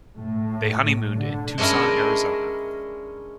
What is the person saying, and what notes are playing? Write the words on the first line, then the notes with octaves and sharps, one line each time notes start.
They honeymooned in Tucson, Arizona.
A2
D3
G#3 C#4 D4 E4 A#4